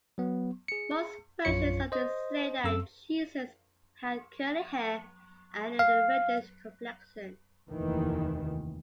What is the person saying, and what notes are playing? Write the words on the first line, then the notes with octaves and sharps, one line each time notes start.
Most versions of this say that "Jesus had curly hair and a reddish complexion".
F#3 B3
G#4 C#7
A#1 F#2 F4 C#5 C#7
C5 D#5
F#2 C4 A4 E6
F5
F1 D#2 D#3 E3